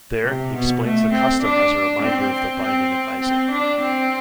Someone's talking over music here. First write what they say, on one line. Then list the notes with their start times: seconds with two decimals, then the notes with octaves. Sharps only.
There, he explains the custom as a reminder of the binding of Isaac.
0.23 C3
0.54 B2
0.83 A3
1.13 C4
1.43 D4
2.02 C4
2.62 C4
3.21 C4
3.51 D4
3.81 C4